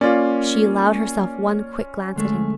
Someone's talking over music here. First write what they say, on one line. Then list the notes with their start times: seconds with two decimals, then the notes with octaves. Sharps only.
She allowed herself one quick glance at him.
0.01 A#3 C#4 F4 D5
2.16 D2 G#3 A3